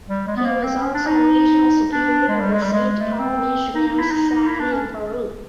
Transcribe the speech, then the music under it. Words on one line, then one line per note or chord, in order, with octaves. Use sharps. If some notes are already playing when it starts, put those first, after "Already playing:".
He was also regional superior of the St Paul Missionary Society in Peru.
G3
G#3
B3
A#3
C4
C#4
D4
D#4
D4
G#3
G3
G#3
G3
G#3
A3
C4
D#4
D#4
E4
D#4
D#4
E4
D4
C#4